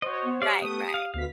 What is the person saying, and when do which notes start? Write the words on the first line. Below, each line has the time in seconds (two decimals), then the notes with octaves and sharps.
Right, right.
0.02 F#4 C5 C#5 D#5
0.25 B3
0.42 G4 D5 F5
0.62 A3 B3 D#6
0.94 F5
1.14 D2 B3 F5 B6